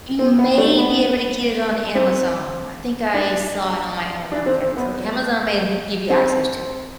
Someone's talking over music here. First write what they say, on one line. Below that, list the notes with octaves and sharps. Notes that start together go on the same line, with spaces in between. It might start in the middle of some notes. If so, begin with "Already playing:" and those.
You may be able to get it on Amazon. I think I saw it on my Amazon account. So Amazon may ha give you access to it.
C4
B3
A3
B3
C4
D4
D4
C4
C4
B3
C4